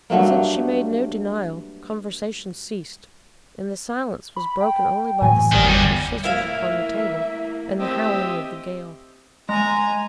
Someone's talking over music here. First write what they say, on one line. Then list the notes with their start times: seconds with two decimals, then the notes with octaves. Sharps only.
Since she made no denial, conversation ceased, and the silence was broken only by the sound of her scissors upon the table and the howling of the gale.
0.10 G2 F#3 A3 A#3
4.36 B5
4.61 G5
5.22 A2 E3 F#3 G#5
5.53 G1 E2 D#3
5.67 G2
6.24 A3 A#3 E4 E5 F5
7.80 C4 G4 D#5 E5
9.49 G#3 G#5 A#5